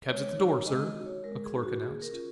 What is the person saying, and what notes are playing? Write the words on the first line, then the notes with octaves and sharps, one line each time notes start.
"Cab's at the door, sir," a clerk announced.
G#3 C#5
D#4 F#4
G#3 D#5
D#5
D#4 F#4
C#5
G#3 A#4
G#4
D#4 F#4
F#4
A#3 G#4
A#4
C#4 F4